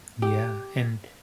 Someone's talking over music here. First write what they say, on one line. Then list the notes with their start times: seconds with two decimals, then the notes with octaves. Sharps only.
Yeah, and
0.22 G4